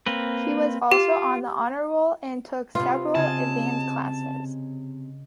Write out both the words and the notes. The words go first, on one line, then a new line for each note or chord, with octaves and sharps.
He was also on the Honor Roll and took several advanced classes.
A#3 C4 B4
F4 G4
C3 B3 F4
C#3 G#4 D#5 A5